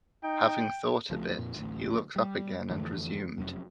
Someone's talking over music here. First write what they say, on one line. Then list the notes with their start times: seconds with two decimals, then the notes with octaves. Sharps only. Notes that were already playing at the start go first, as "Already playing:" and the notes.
Having thought a bit, he looked up again and resumed.
0.23 D#4 G5
1.10 C#2 F3 A3
1.38 F2 A#2
1.56 A1 D2
2.16 G3
2.70 F2 D3 E3 A3
3.38 F1 F#2